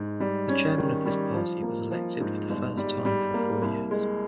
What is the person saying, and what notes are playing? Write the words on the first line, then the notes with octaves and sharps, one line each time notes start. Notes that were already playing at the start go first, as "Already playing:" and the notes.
The chairman of this party was elected for the first time for four years.
Already playing: G#2
G3
C#4
D#3
G3
F3
A#3
F3
G#2
G1
G3
G3
A#3
C2
G#3